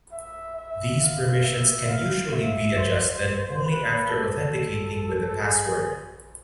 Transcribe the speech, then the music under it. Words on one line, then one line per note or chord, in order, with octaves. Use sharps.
These permissions can usually be adjusted only after authenticating with the password.
E5
E5
F5
E5
F5
E5
C5
B4
A4
G#4